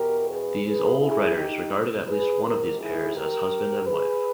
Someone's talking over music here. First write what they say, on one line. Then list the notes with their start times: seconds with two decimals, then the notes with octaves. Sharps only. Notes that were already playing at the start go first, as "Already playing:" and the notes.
These old writers regarded at least one of these pairs as husband and wife.
Already playing: E2 B2 G4 A#4
0.29 G#4 B4
0.64 G#4 B4
1.00 E4 G#4
1.37 D#4 G4
2.08 G#4 B4
2.43 G#2 D#3 G4 A#4
2.80 E4 G#4
3.16 G4 A#4
3.86 G#4 B4